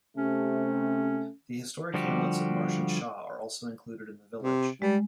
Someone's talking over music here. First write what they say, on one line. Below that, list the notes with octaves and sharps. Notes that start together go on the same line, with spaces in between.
The historic hamlets of Marsh and Shaw are also included in the village.
C3 A3 C#4
D3 F3 G3 F#4 G4
C3
G3 G#3